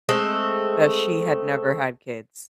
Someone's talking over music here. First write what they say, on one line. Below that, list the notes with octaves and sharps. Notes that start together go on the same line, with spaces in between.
that she had never had kids.
G#3 A3 C4